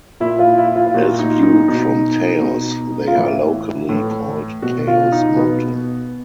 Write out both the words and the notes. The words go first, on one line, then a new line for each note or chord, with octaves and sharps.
As viewed from Taos, they are locally called Taos Mountain.
A#2 E4
F4
E4
F4
F4
A#2 F#4
D#4
D#4
B2 D#4
B2
F4
A2 E3 E4
A2 E3
B2 F#4
F4
D#4
B2 B3